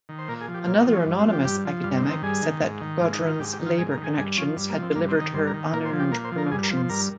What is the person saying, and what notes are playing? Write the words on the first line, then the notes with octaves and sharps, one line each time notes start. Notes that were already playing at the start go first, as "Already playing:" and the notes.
Another anonymous academic said that Gaudron's Labor connections had delivered her unearned promotions.
D#3
C5
A#2 A#4
G#4
F3
G4
A#2 F4
D#4
F3
C#4
G2
C4
F3
G4
G2 G4
F3
G2 F4
C4
D#3
C4
G2 G#4
D#3
G#2
D#3
G#2 F4
D#4
D#3
F4
G#2 G4
G4
D#3
F4
G#2 G#4
A#4
D#3
G#4
G2 G#4
F3 C#4
G2
A#3
F3
C4
G2 A#3
C4
D#3
D#4
G2 C5
A#4
D#3
A#2 A#4
C5
F3
G4
A#2 A#4
C5
F3
A#4
G2 G#4
A#4
F3
C5
G2 A#4